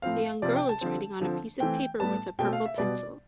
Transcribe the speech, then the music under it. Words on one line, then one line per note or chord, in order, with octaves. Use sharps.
A young girl is writing on a piece of paper with a purple pencil.
A2 F3 C4 F5
C3 F3 C4 D5
G5
A5
D3 F3 C4
D3 F3 C4
E3 A3 C4 G5
A2 G3 B3 A5
B2 A3 C4 G5
F5
E5
B2 G3 B3 D5